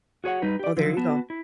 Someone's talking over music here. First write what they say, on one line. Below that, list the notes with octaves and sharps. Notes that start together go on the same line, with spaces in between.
Oh, there you go.
F#4 G#4 C#5 F#5
G3 D#4 B4
G4 D5
D3 F3 F#3
B3 F#4 A5
E4